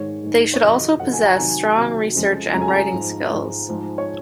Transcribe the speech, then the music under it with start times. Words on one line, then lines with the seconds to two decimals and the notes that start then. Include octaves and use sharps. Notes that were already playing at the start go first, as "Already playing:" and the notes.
They should also possess strong research and writing skills.
Already playing: G#2 D#3 G#3 C#5
0.23 G#2 D#3 G#3
0.54 C#5
0.62 F2 C3 D#3 F#3 D#5
1.00 F2 C3 D#3 F#3 F#5
1.13 G#5
1.26 A#5
1.38 C3 D#3 F#3 G#5
1.77 C3 D#3 F#3
2.15 F2 C#3 F3 G#3
2.53 F2 C#3 F3 G#3 A#5
2.62 G#5
2.68 A#5
2.92 G#2 F3 G#3
3.30 G#2 F3 G#3
3.69 G#2 F3 G#3
3.98 C#5